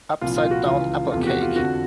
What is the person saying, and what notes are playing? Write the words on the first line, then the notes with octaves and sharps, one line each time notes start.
Upside down apple cake.
C2 A#2 F3 F4
F4
F#4
C#2 C#3 E3 F4
E2 C3 F3 A3 F4
G4
F#4
F4
F2 D3 F3 F#4